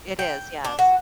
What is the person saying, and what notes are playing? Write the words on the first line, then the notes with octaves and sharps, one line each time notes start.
It is, yes.
G5
D4
F#4